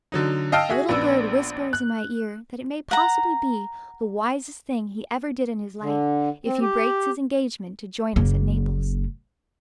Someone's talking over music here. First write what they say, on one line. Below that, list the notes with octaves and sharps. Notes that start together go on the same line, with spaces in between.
A little bird whispers in my ear that it may possibly be the wisest thing he ever did in his life if he breaks his engagement to join us at Naples.
D3 F#3 D#4
D#5 F5 G5 A5 E6 F6
F#4 G#4 E5
A#1 B3 D4 E6
F#6
F#5 A#5
D3
C4
G4
F#1 A#3